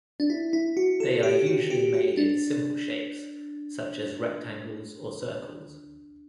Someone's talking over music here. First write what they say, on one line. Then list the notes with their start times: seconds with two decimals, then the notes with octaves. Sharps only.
They are usually made in simple shapes, such as rectangles or circles.
0.20 D4
0.30 E4
0.53 E4
0.77 F#4
1.00 A4
1.23 G4
1.46 F#4
1.70 G4
1.94 F#4
2.17 D4